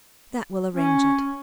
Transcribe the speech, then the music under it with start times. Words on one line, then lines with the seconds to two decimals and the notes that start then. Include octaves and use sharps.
"That will arrange it."
0.76 C#4